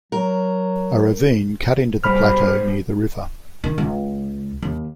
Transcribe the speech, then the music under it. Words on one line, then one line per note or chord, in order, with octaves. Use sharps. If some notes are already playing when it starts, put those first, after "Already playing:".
A ravine cut into the plateau near the river.
F#3 A#4
B2 G3 G#4 C5 B5 F6
D#3
C#2
D#2